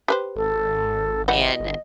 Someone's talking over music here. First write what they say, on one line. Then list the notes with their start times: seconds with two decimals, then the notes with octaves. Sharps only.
And, eh,
0.08 G4 B4 C5
0.36 G#1 A4
1.28 E3 G3 D#5 F#5
1.60 G1